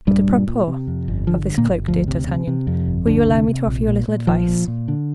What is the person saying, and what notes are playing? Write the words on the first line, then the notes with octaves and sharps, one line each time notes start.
"But a propos of this cloak, dear D'Artagnan, will you allow me to offer you a little advice?"
A#1 G2 G3
A#2
A#2
C3
F2
G1
D3 F3
G2
A#2 A#3
G1
D2 F3
C3
C3
C3
F2
G1
D2 D3
C3
C3
A#1
A#2
A#2
A#1 F3
A#2
A#2
D3